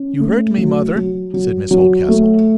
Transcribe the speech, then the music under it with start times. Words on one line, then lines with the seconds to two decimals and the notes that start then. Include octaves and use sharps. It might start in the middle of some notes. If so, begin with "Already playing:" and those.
"You hurt me, mother," said Miss Oldcastle.
Already playing: C#4
0.20 A3
0.58 F#3
0.96 F#3
1.34 F#3
1.71 F#3
2.08 A3